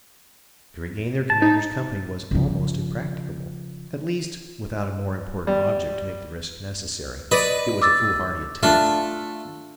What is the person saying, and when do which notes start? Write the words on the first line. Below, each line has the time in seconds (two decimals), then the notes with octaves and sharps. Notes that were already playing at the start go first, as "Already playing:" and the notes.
To regain their commander's company was almost impracticable; at least, without a more important object to make the risk necessary, it was a foolhardy attempt.
1.30 A5
1.42 D#4
2.31 C#3 F3
5.47 G3
7.31 B4 D5 D#5
7.82 D6 E6 A6
8.63 A3 D4 F4